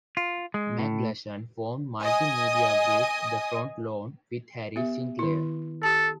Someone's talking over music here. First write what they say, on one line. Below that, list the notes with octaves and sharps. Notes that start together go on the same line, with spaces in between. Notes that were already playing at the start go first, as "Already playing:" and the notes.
McGlashan formed multi-media group The Front Lawn with Harry Sinclair.
F4
G#3
A2
D#5 G#5 D#6
B3 G4 E5
D#3 E4
G4 A4 A5